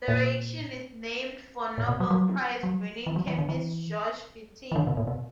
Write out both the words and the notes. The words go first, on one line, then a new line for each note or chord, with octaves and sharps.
The reaction is named for Nobel Prize winning chemist Georg Wittig.
A#2
A#2
B2
F#3
F#3
F#3
E3
F#3
E3
D3
E3
E3
D3
B2
A#2
B2